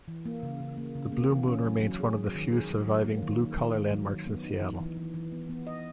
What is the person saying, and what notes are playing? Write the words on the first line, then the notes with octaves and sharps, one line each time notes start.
The Blue Moon remains one of the few surviving blue-collar landmarks in Seattle.
E3
A#3
C#3
C#3
A#3
C#3
A#3
E3
C#4
F#3
F#3
G#4
F#3
D#3
G#4
F#3
F#3
A#3
D#3
A#3
D#3
D#3
F#3
D#3
B3
D#4
E3
E3
E3
E3
B3
B3
D#5